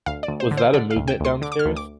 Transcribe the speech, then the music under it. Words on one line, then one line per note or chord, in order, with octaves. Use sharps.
Was that a movement downstairs?
D2 F5
D5
D2
C5
D3
C5
D3 D5
F5
D2
G5
D2 C6
D3 D6
D6
F6
D2
D6